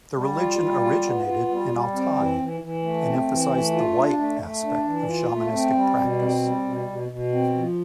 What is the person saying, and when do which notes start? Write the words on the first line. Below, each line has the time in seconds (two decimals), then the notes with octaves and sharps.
The religion originated in Altai, and emphasized the "white" aspect of shamanistic practice.
0.14 G3
0.37 F4
0.59 G3
0.80 F4
1.03 B3
1.26 F4
1.49 G3
1.70 G3
1.93 C4
2.16 E3
2.39 E3
2.61 E3
2.82 A3
3.06 C4
3.28 E3
3.51 A3
3.73 F4
3.96 D4
4.17 A3
4.40 A3
4.63 D4
4.85 E3
5.07 F4
5.29 A3
5.52 C4
5.74 G3
5.97 B2
6.20 C4
6.42 G3
6.64 B2
6.87 B2
7.09 B2
7.32 C4
7.54 F3